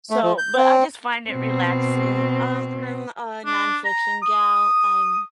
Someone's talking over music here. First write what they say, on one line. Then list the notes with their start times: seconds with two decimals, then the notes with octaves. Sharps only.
So but, I just find it relaxing um, I'm a nonfiction gal, I'm
0.10 A3
0.23 F3
0.38 G6
0.56 C4
1.30 B2 C4
3.46 D4
3.85 A#5
4.23 D#6